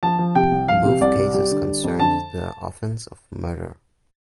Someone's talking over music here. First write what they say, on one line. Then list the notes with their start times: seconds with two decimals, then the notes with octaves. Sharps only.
Both cases concerned the offence of murder.
0.03 F3 A5
0.19 F3
0.35 C3 G5
0.52 C2
0.68 F3 F5
0.85 C3
1.01 C2 D5
1.18 C3
1.34 G3
1.51 D3
1.66 G3
1.84 F2
1.99 D3 A5